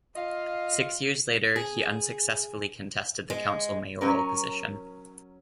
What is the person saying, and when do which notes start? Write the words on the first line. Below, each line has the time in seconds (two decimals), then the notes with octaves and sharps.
Six years later he unsuccessfully contested the council mayoral position.
0.15 F4 D#5 F5
1.56 G#4
3.30 G#3
4.01 F#3 C#4 A#4